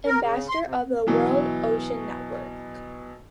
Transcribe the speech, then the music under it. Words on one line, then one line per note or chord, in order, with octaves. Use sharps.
Ambassador of the World Ocean Network.
A#4
C#3
C6
C3
B2 E3 F#3